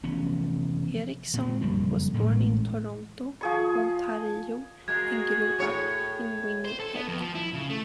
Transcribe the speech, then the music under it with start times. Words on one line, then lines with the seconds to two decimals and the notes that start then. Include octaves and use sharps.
Erikson was born in Toronto, Ontario, and grew up in Winnipeg.
0.04 F1 E3 B3 C#4
1.34 A#2 G#3
1.62 F#1 F2 G3 A#3
2.14 A1 A2 G#3 A3
3.41 F3 G#4 C#6
4.88 G#3 A#3 F#4 G#4 G#6
5.59 A2 C#5
6.65 C5
6.80 A4
6.95 B3
7.07 F2
7.20 F3
7.35 E4
7.53 C#3
7.69 A3